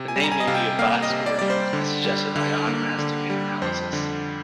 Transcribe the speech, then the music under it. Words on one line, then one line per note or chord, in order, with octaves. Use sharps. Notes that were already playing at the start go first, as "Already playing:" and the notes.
The name may be of Basque origin, as suggested by onomastic analysis.
Already playing: C3
G#5
G3
A#5
G#5
D#5
C3 F5
G5
A#3 F5
D#5
C3
D5
G3 D5
C5
D3
G3
D3
A#3
D3
G3
F2 C5
D3